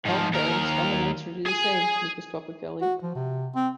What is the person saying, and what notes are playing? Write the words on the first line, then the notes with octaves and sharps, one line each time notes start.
All current is fundamentally the same, microscopically.
G#2 F3
D#2 A#4
G#4 G#5
F#4
F3
C3
C4